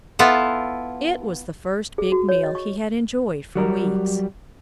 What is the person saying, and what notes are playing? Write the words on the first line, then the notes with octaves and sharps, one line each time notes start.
It was the first big meal he had enjoyed for weeks.
B3 E4 F4 A4
G#4
F#4
C#5
D#5
C#6
F#3 G3 A#4